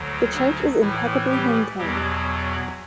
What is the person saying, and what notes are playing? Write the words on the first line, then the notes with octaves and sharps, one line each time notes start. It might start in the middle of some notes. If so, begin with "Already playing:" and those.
The church is impeccably maintained.
Already playing: D2 D3 F#3
D3 D4
A2 E3 E4
G3 G4
E2 B2 F#3 G3 G4